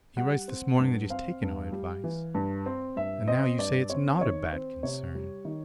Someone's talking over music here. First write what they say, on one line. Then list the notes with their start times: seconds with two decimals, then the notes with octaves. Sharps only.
He writes this morning that he's taken our advice, and now you say it's not a bad concern.
0.17 G3 F#5
0.48 C4
0.79 G2
1.10 C4 F5
1.42 G2
1.72 G3
2.04 E3
2.34 G2
2.66 C4
2.96 G2 E5
3.28 C4 D#5
3.59 G2 D5
3.90 C4 C#5
4.17 C5
4.21 D#3 C#5
4.52 C4 C5
4.83 C3 C#5
5.15 G3
5.45 D#3